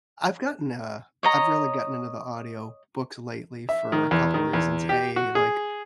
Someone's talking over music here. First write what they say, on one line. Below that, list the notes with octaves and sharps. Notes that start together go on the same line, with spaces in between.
I've gotten, uh, I've really gotten into the audiobooks lately for a couple reasons. A, like,
C#5 D#5 A#5
E5
D#3
E2
D#3
E2
G4
F#4
G#4